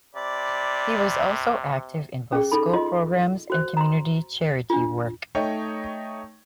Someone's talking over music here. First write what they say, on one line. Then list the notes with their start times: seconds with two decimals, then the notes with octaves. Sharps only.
He was also active in both school programs and community charity work.
0.15 C3 D5 B5
2.32 C#4 G#4
2.52 D#4 A4 B5
2.73 F4 D#5 C6
3.50 F#4 C5
3.77 A#5 C6
4.70 D4 F4
5.35 A3 D#4 C#5 D#5 G5